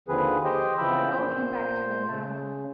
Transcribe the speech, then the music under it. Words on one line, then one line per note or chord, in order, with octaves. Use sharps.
How it all came back to her now!
D#2 D3 F3 C4 G#4 B4
G4 C5 D#5 G5
C#3 E3 F3 G5 B5 E6
A#2 C5 G6
C#3